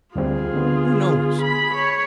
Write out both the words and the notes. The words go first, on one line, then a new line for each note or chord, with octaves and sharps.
Who knows!
D2 G3 C4 F4 G#4
D3 B3
G#4 B5
C#5